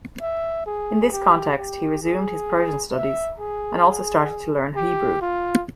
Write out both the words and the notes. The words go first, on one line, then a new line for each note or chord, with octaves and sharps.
In this context he resumed his Persian studies and also started to learn Hebrew.
E5
G#4
G4
G4
G#4
E5
G#4
G4
F4